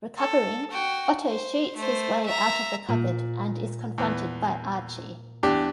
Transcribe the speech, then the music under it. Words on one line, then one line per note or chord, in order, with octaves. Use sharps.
Recovering, Otto shoots his way out of the cupboard and is confronted by Archie.
A4
F#4 G5
C5
A3 C5
E5 A#5
A#2
E2 B3
E2 D4 G4